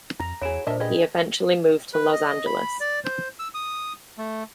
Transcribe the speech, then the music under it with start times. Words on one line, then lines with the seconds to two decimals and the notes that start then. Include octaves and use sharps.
He eventually moved to Los Angeles.
0.20 F2 A#5
0.42 E2 E4 F#4 G#4 C#5 D7 E7
0.67 A#2 D4 A4 A#4 C5 D#5 E5 A5
0.80 G4 G#4 B4 D#5 G#6
1.93 B4
2.12 D#5
2.46 B5
2.80 D5
3.05 C5
3.39 E6
3.54 D#6
4.18 A3